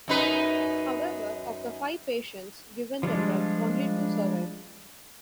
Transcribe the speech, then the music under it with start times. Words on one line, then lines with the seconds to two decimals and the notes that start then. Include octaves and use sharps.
However, of the five patients given the drug, only two survived.
0.08 F#2 D#4 B4
3.03 F3 G3 G#3 D4